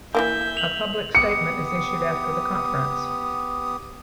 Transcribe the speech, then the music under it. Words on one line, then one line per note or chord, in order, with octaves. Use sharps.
A public statement is issued after the conference.
E3 F#3 A#3 E5 G6
F7 F#7
B3 G4 D#6 C#7